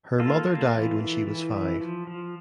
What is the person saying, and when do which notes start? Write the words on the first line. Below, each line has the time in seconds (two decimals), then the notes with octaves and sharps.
Her mother died when she was five.
0.20 A#3 F4 A4
0.47 A#3
0.73 E3
1.00 E3
1.27 E3
1.54 E3
1.80 F3
2.07 F3